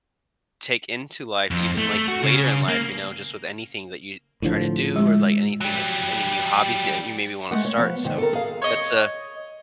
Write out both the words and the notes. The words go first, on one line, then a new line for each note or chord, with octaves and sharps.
take into life even, like, later in life, you know, just with anything that you try to do or, like, anything that any new hobbies that you maybe wanna start, so, that's a,
F2
A3
F#4
C#3
A#3
A2 D3 F3
G#3
F#3 G3
G#3 A3 F#5
C#5
F3 B3
G#2 D#3
A4 A#4
G#4 F5
C#5 D#5